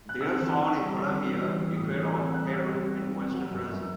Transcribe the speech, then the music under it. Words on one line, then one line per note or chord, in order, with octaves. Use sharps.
They are found in Colombia, Ecuador, Peru and western Brazil.
F#6
C4 E6
E3
E3
G3
C4
E3
G3
E3
A2 D#6
E3 F#6
C4 E6
G3 F#6
D#6
C4 E6
G3
C4
C4
F#3
F#2
F#2